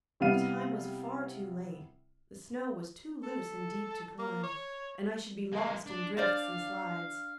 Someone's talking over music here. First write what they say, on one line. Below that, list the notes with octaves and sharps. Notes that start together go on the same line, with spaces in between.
The time was far too late, the snow was too loose and deep to climb, and I should be lost in drifts and slides.
C3 G3 B3 E4 F5 D#7
A4
A#3
C#5
G#3 A#3
D4
D4 C5 D5 F5